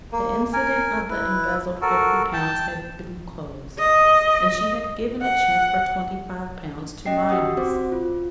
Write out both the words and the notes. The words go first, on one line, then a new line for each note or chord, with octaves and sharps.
The incident of the embezzled fifty pounds had been closed, and she had given a cheque for twenty-five pounds to Mynors.
A#3
A#4 G#5
E4 B4
F#4 A4 A#4
G5 A5
D#5
F#5
C#4 D#5 G5 C7
F#4 G4 F#5 D#6 E6
C4 F#4 C5 D6
F4